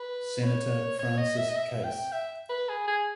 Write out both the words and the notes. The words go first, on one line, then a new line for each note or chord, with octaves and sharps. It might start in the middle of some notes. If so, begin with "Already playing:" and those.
Senator Francis Case.
Already playing: B4
C#5
C#5
D#5
E5
D#5
E5
G5
E5
B4
G#4
G#4